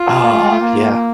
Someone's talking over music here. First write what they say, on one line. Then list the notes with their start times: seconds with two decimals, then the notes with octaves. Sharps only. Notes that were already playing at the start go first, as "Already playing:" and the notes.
Oh, yeah.
Already playing: F4
0.24 A#3
0.33 A3
0.42 G#3
0.51 A3
0.60 A#3